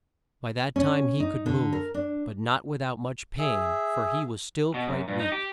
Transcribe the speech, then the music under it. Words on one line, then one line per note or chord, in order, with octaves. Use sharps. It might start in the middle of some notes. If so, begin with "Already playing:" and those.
By that time he could move, but not with-out much pain, for he was still quite weak.
C#4
D#4
D3
A#4
D4
G#4 E5
B2
F#2
G2
D#4
G4